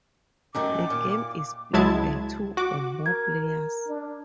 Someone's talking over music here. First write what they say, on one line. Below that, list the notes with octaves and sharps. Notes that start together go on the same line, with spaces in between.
The games is played by two or more players.
F#2 D#3 A3 D6
A#2
C#2 F#3 G#3 E4 A5 G#6
F#4 D6
A#4 G#6
D4